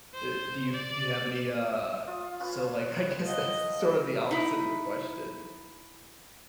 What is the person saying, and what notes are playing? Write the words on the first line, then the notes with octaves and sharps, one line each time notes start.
Uh, do you f do you have any, uh so, like, I guess that's the, sort of the opposite of the question
C5
D5
F4 D#6
C#4 F4 B4
F3 D#5 F#5
D#4 E4